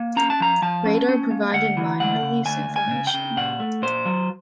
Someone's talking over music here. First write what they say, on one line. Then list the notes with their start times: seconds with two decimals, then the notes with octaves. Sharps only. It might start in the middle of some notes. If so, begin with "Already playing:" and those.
Radar provided mine release information.
Already playing: A#3
0.16 C#4 A#5
0.30 A5
0.40 F3 A#5
0.62 F3 A5
0.86 C#4
1.09 C#4
1.31 A#3
1.54 D2 F#5
1.77 E3
1.99 D2 F#5
2.23 C#3
2.45 D2 G#5
2.69 D2
2.76 G#5
2.91 C#3
3.07 G5
3.14 C#3
3.37 A#2 F#5
3.60 A3
3.82 A#2 C5
4.05 F#3